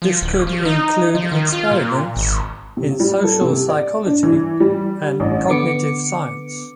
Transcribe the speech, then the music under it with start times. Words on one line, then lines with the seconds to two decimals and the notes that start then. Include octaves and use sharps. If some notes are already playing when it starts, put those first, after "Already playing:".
This could include experiments in social psychology and cognitive science.
0.02 F3
0.21 D1
0.47 F3
0.65 D#4
1.15 F3
1.31 D#3
1.52 F4
1.71 A#2
2.16 G#1
2.77 C3
3.00 G3
3.24 A4
3.41 C3
3.69 D5
4.06 D4
4.23 E3
4.60 G3
5.20 A1
5.49 D3 B3 D6 C#7